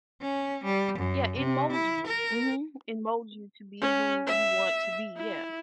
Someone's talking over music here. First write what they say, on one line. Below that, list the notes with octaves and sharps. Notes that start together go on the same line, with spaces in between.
Yeah, it molds you. Mhm. It molds you to be who you want to be, yeah,
C#4
G3
F#2
C3
E4
A#4
C#4
E5
E4